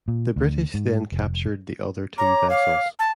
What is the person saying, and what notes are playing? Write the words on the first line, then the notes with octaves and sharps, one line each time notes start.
The British then captured the other two vessels.
A#2
D2
G#2
F1
C#5 A#5 D6
F5
A5